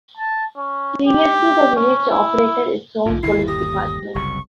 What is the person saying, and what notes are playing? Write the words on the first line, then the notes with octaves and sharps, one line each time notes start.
Previously the village operated its own police department.
A5
C#4
G4
C#4
E4
B1 G#2 D3 F4
G1 D#2 A#2 E4 C7
G4 D#6 A#6
F#1 C2 C#3 C#6